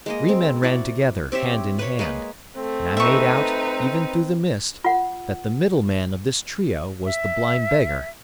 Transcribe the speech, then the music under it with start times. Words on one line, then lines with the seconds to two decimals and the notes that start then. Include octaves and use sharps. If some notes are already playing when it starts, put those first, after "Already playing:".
Three men ran together, hand in hand; and I made out, even through the mist, that the middle man of this trio was the blind beggar.
0.06 G#3 A#3 D#5
0.29 C4
0.63 E4 F#4 D5
1.32 C4 G4 C#5 E5
1.79 B4 C#5
1.99 G#3 A#3 G#4 B4
2.56 A3 C4
2.97 D#4 B4 E5 C#6
4.84 F4 F#5
7.05 E5